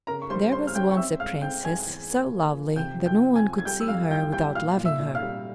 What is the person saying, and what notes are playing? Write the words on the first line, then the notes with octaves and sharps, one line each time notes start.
There was once a Princess so lovely that no one could see her without loving her.
C#3 A#4 A#5
C#6
G3 C5 C6
C#4 C5 C6
F6
C#4 G5 G6
C#6
C4 E5 E6
G#2 F5 F6
C4 G5 G6
G#2 G#5 G#6
E2
A#3
A#3
F3
C3 G5 G6
F3
G5 G6
C4
G#5 G#6
F3
G#6
G3 G5 G6
E6
F2 F5 F6
E3 G5 G6
G3 G5 G6
A#2 F5 F6
A#2
E5 E6
A#2
F5 F6
G3